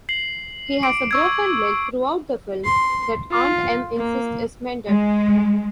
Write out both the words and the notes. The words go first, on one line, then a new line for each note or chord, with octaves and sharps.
He has a broken leg throughout the film that Aunt Em insists is mended.
C7 F#7
D6 D7
C#6 E6 G#6
C6
F4
A#3
G#3